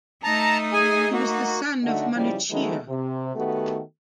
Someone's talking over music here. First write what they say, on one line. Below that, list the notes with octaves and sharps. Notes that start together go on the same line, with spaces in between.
He was the son of Manuchihr.
A3 D#4 A5 A#5
G#4 G#5
A#3 F#4
D3 A3 D#4 F#4
C#3 F3 G3 D#4 E4 G4
D#3 F#3 G#3 A3 B3 D#4
C3
D#3 A3 B3 F#4 G4 A4